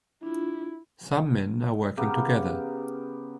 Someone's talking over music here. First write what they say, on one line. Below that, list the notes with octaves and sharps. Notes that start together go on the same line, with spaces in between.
Some men are working together.
D4 E4 F4
C#3 B3 G4 A#4